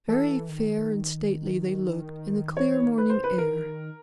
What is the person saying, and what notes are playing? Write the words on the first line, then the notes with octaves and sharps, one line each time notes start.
Very fair and stately they looked in the clear morning air.
E3 A4
D#3
E3 C#5
D#3
B4
D3 C5
B4
D#3 A#4
D#3